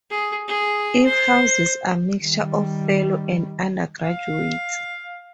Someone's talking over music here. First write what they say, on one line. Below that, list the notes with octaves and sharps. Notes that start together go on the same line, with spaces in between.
It houses a mixture of fellows and undergraduates.
G#4
G#4
C5
D#3 G3
F5